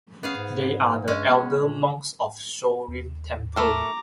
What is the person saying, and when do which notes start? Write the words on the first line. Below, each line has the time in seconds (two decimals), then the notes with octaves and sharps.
They are the elder monks of Sho-Rhim Temple.
0.23 B3 C#4 G#4 F5
0.37 G#2
1.08 G2 G#3 C#4
1.29 B3
1.63 A#2
2.88 D#2
3.56 A3 A4 A#4 A#5 D6